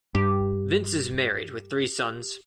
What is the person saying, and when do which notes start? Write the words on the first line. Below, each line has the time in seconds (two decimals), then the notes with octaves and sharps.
Vince is married with three sons.
0.15 G2 G4